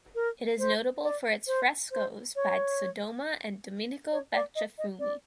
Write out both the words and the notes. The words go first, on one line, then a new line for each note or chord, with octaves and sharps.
It is notable for its frescoes by Sodoma and Domenico Beccafumi.
A#4
C5
D5
C5
C5
C#5
C#5
D5
D#5
D#5
D5